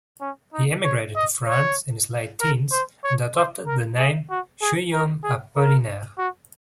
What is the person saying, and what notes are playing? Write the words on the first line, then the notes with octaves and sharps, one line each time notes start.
He emigrated to France in his late teens and adopted the name Guillaume Apollinaire.
C#4
D#4
C#5
D#5
C#5
A#4
C5
C#5
C5
A#4
G#4
F#4
G#4
A#4
G#4
A#4
F#4